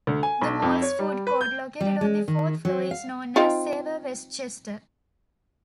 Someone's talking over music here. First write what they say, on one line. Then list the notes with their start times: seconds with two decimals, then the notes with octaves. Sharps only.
The mall's food court, located on the fourth floor, is known as Savor Westchester.
0.07 D2
0.23 G#5
0.42 B1
0.62 F2
0.82 C#5
0.99 G3
1.27 B4
1.41 G6
1.81 G3
2.01 G#3
2.28 D#3
2.65 F#3
2.91 F5
3.36 C4 D#4 F4